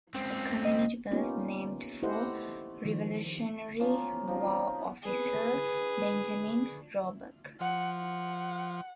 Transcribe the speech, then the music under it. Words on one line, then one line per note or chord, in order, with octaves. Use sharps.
The community was named for Revolutionary War Officer, Benjamin Roebuck.
C#2 C4
D#5
A#3 B3 C#4 D#4 F4 G4
E4 G4 A4 C5 D#5 F#5
D#3 F3
F3 A#3 C#4 F4
F3 C4 C#4 D#4
G#4 B4
F3 F#5
F#5